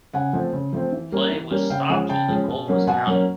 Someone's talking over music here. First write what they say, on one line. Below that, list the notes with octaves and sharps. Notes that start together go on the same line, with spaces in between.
Play was stopped and the goal was counted.
C#3 F#5 G#5
F3 A3 C4
C#3
F3 A3 C4
E3
G3 A#3 C#4
E3
G3 A#3 C#4
C#3 F5 G5
F3 G#3 C#4 F#5 G#5
C#3 G5 A5
F3 G#3 C#4
B2
F#3 A#3 C#4
B2 F#5 G#5
F#3 A#3 C#4